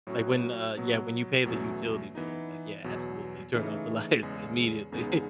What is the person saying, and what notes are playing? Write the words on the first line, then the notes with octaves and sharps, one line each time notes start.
Like when, uh, yeah, when you pay the utility bill, it's like, yeah, absolutely, turn off the lights immediately.
A2 F#3 C#4 F#4
B2 F#3 B3 F#4
E2 B2 F#3 A3 C#4
E3 B3 D#4
E2 B2 F#3
C#3 E3 A3 D#4
E2 C#3 G#3
E2 C#3 G#3 B3 D#4